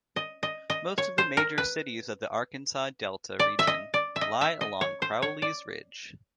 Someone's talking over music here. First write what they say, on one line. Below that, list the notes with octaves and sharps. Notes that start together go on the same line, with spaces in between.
Most of the major cities of the Arkansas Delta region lie along Crowley's Ridge.
D#5
D#5
D#5
C#5
C5
A#4
B4
D5
E5
D#5
D5
E5
D#5
E5
D#5
C#5
C5
C#5
D5